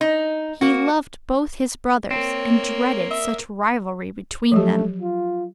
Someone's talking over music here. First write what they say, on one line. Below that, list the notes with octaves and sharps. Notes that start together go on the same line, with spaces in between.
He loved both his brothers, and dreaded such rivalry between them.
D#4
A#3 F#4
A#3 C4 C#5
E5
F3 F#3 A3 G4
F4